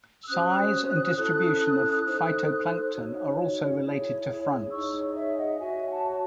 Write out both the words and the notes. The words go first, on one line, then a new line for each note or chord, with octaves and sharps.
Size and distribution of phytoplankton are also related to fronts.
E6
C#4 F#4 C5 D#6 F#6
C#4 E4 A4
D#4 A4 C5
D#4 F#4 C#5
E4 G#4 C#5
D#4 G#4 C#5 C#6 E6
C#5 E5
D#5 F#5
F#4 C#5 E5 G#5
F#5 A5
A5